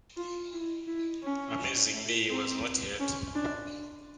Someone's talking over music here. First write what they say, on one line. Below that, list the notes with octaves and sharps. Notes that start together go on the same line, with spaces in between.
Amazingly, he was not hurt.
F4
E4
E4
C#4
C4
C#4
D4